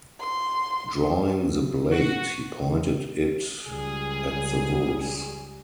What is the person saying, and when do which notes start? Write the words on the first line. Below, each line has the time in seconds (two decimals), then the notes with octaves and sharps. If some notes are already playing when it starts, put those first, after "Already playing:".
Drawing the blade, he pointed it at the wolves.
0.20 C6
1.91 F#4
3.67 C#2 G3 G#4